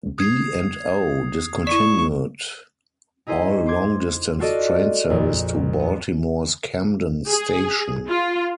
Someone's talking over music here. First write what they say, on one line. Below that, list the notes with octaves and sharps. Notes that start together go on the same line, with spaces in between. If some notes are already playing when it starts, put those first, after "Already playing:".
B and O discontinued all long-distance train service to Baltimore's Camden Station.
D#6 G#6 C7
E4 D5 C#6 E7
D#4 E4 G#4 C5 D#5
C5 C6 D6 G#6
F4 F#4 A4 D5 D#5
A#1 F2
B3
G#4
F4